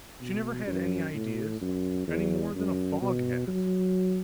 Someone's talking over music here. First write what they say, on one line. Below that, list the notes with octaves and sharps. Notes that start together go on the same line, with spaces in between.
She never had any ideas, any more than a fog has.
B2
F#2
A2
F#2
E2
F#2
B2
F#3